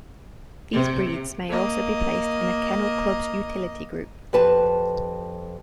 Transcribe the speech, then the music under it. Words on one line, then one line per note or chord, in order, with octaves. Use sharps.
These breeds may also be placed in a kennel club's Utility Group.
C3
A#3 D#5
F2 G4 B4 A5